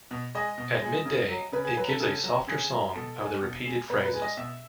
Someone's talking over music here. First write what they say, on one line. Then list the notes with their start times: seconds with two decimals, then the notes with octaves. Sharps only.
At midday it gives a softer song of repeated phrases.
0.11 B2
0.35 G#3 D#5
0.58 B2
0.82 G#3
1.05 C#3
1.29 F#3
1.52 C#3 B4
1.65 G#4
1.77 F#3 B4
1.88 A4
2.00 C#3 A4
2.24 F#3
2.47 C#3 G#4
2.71 F#3
2.95 B2 A4
3.19 G#3
3.42 B2
3.66 G#3
3.90 B2 B4
4.05 B4
4.14 G#3
4.22 D#5
4.37 B2 E5